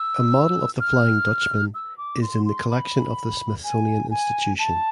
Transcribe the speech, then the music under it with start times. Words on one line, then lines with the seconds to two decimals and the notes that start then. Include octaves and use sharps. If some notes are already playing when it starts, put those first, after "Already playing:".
A model of the "Flying Dutchman" is in the collection of the Smithsonian Institution.
Already playing: E6
0.80 F6
1.75 E6
1.98 D6
2.22 C6
2.46 C6
2.70 B5
3.64 G#5
4.11 G#5
4.59 A5